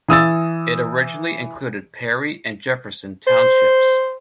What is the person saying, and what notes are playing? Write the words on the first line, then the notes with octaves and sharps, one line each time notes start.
It originally included Perry and Jefferson townships.
E3 D#6 E6 A6
C5